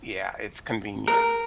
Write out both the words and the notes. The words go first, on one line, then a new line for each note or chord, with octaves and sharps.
yeah, it's convenient.
A#4